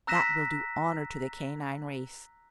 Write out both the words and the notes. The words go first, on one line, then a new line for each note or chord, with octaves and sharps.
That will do honor to the canine race!
A#5 E6 F#6 A#6 B6 E7